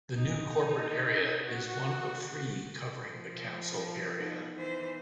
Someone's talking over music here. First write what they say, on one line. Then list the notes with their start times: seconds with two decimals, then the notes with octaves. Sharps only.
The new corporate area is one of three covering the council area.
0.14 D#4
1.46 F#4
2.99 F3
4.19 B3 D#4 F#5
4.56 E3 C5